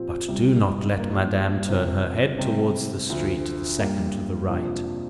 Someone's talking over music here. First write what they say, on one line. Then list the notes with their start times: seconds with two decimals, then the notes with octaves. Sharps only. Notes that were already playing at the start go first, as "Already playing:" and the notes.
But do not let Madame turn her head towards the street the second to the right.
Already playing: A#2 F3 C4 G4
0.28 C2 C3 G3
0.98 G2 F3 A#3
1.68 C3 F3 C4
2.38 C3 G3 C4
3.09 D2 D3 F3
3.78 G2 G3 A#3
4.49 F2 C3 F3 A#3 D4